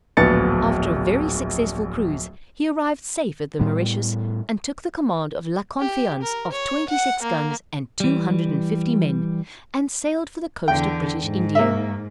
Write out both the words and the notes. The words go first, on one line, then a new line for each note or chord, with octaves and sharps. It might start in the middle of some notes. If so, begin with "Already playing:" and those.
After a very successful cruise he arrived safe at the Mauritius, and took the command of La Confiance of twenty-six guns and two hundred and fifty men, and sailed for the coast of British India.
D1 A#1 B3 A6 C#7
A2 G3 B3
G4
A#4
C#5
F#5
A#3
E3 G3
E2 D3 G5
G#2
A#3 E5